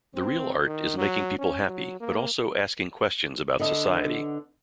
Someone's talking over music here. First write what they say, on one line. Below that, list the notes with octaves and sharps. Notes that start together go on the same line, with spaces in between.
The real art is making people happy, but also asking questions about society.
C4
D#3
F#3
C#4
F#3
A#3
D3 B3 D4 D#5